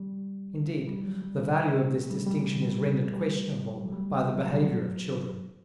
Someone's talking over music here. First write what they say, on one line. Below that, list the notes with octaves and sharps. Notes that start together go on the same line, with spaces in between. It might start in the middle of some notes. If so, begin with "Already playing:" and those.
Indeed, the value of this distinction is rendered questionable by the behavior of children.
Already playing: G3
G3
F#3
G3
A3
G3
G3
E3
D3
G3
G3
A3
G3
A3
G3
F#3
G3
F#3
A3
G3
F#3